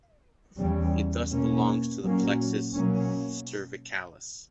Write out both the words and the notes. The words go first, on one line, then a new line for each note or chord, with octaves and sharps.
It thus belongs to the plexus cervicalis.
E2 C#3 G3 C#4
B2 A#3 C#4
A#2 F#3 A#3 C#4
B2 F#3 A#3 C#4